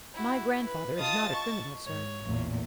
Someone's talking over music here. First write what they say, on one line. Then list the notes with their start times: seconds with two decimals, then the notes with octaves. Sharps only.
"My grandfather is not a criminal, sir."
0.14 E4 F#4
0.65 B4
0.99 F4 D#5 A5 D#6 A6
1.32 C#6
1.87 G#2 C#5
2.25 A1 E2 A#2